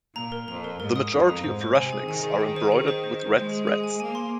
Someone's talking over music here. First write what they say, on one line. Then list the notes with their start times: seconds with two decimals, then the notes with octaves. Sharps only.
The majority of rushnyks are embroidered with red threads.
0.16 A#2 A#5
0.32 A#4
0.48 F2 A#5
0.64 A#4
0.80 G#2 A#4
0.96 D#6
1.12 F2 D#6
1.29 A#5
1.44 G#2 C5
1.61 C5
1.75 C3 G#5
1.93 G#4
2.08 D#3 G#5
2.23 G#4
2.41 G#4
2.56 C5
2.72 G#4
2.88 C5
3.04 C5
3.20 C5
3.36 G#3 C5
3.51 G#4
3.67 G#4
3.84 G#5
4.00 A#3 G#5
4.15 C6